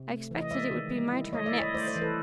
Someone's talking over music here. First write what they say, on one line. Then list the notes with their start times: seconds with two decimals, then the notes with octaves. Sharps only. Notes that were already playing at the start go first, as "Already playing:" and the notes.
I expected it would be my turn next.
Already playing: C3
0.10 A3
0.31 E3
0.41 D#5
0.51 G#3 D5 E5
0.71 D#3
0.92 G3
1.13 E4
1.33 A3 C#5 D#5
1.46 D5 E5
1.53 E4
1.60 C#5 D#5
1.74 A3 C5 D5
1.87 C5 D5
1.95 E3
2.01 A4 B4